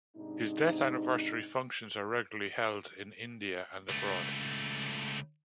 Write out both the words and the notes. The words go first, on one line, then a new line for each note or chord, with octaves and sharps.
His death anniversary functions are regularly held in India and abroad.
G#2 C3 D4 D#4
C#2 A3